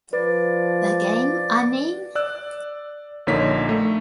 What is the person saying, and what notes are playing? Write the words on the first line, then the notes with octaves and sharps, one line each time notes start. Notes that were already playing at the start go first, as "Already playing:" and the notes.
The game, I mean?
F3 B4 D5
D5 E6 F#6
A#1 D3 A#3 D#4 C#5 B6
A3